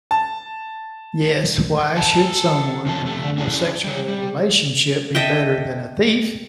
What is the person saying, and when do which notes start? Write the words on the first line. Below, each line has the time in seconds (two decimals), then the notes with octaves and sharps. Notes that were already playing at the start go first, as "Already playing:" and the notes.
Yes, why should someone in a homosexual relationship be better than a thief?
0.11 A5
1.96 A4 F#5 A5 A#5
2.85 F2 C3 F3 C#4 D4 A4
3.02 F2 A3
3.38 C#4 D4 E4 G#4
3.84 G3 C#5
4.08 G3
5.15 A4 D#5 E5 G5